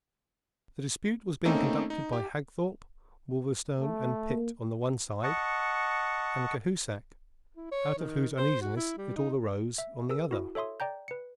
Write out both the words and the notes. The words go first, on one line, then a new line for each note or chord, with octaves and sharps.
The dispute was being conducted by Hagthorpe, Wolverstone, and Pitt on the one side, and Cahusac, out of whose uneasiness it all arose, on the other.
A3 A#3 C4 C#4 D#4 A4
D#4
G4
A3
A#3
D#5 F#5 A5 C#6
E4
C#5
D#3
C5
F#4
E4
G3
D#4
E5
G#4 A#4 E6
E4 F#4
A4 C#5 E5 C6 D#6
D5 G5 A#5 G6
B4 C#7